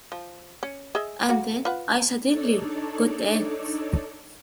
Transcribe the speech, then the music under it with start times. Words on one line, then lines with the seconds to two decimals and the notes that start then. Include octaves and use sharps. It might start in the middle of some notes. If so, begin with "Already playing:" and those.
And then I suddenly got it.
0.12 F3
0.63 C#4
0.95 G#4 D#5 E5
1.29 A#3 F#4
1.65 F4 B4 F#5
2.24 D4 D#4 A4 C#5 D5